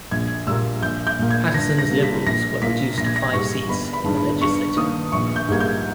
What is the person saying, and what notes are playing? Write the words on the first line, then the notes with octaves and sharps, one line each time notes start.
Patterson's Liberals were reduced to five seats in the Legislature.
A#1 G#6
A#2 G3 A#3 E6
A#1 G6
G6
A#2 A#3
G#6
G2 A#6
A#6
G3 A#3
B6
A#1 A#6
A#2 A#3 B6
A#1 A#6
G#6
A#6
G#2 G3 C#6
G1 B5
B5
G2 D#3 G#3
B5
G2 C#6
D#3 A#3 D#6
A#1 C#6
G6
G#2 G3 A#3 G#6
G6